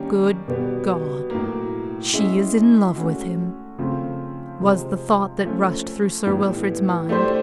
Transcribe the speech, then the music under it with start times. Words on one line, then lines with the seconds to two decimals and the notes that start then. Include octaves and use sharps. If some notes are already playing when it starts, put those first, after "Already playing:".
"Good God! she is in love with him!" was the thought that rushed through Sir Wilfrid's mind.
Already playing: D#3 G3 A#3 C#4
0.48 B2 G3 B3
1.30 A2 F#3 A#3
2.14 G#3 C#4 E4
2.96 A3 C#4 F#4
3.78 C#3 F3 A3 C4
4.61 C3 F3 G#3
5.44 F3 A3 C#4
6.27 A2 E3 G3 B3
7.09 A3 D4 G4 C5